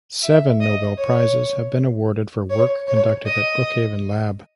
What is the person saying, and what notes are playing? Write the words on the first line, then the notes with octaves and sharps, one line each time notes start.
Seven Nobel prizes have been awarded for work conducted at Brookhaven lab.
E5
D#5
C#5
C#5
C#5
D#5